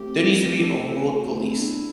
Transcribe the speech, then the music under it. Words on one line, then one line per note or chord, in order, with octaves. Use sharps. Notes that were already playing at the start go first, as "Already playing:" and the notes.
There needs to be a world police.
Already playing: A3 C4 G4
A4
G4
A4
C5
B4
F#4
A3 C4 E4
B3 D4